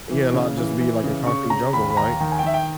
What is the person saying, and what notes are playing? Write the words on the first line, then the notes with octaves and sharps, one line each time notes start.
yeah, not just be, like, a concrete jungle, right,
E3
C#3
E3
E3
C#3
C#3 C#6
C#3 A#5
D#2 B5
B5
D#2 A#5
D#3
G#5
G5
D#3 E5
G5